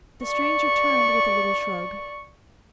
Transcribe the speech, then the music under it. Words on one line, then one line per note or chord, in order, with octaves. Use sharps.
The stranger turned with a little shrug.
D5 C#6